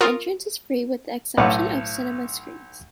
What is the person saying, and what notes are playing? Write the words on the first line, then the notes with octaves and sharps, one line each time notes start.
Entrance is free with the exception of cinema screens.
F4 A#4 C#6 D#6
B1 A2 B4 D5 F5 F#5